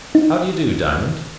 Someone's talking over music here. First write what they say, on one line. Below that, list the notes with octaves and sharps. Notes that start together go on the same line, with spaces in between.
"How do you do, Diamond?"
D#4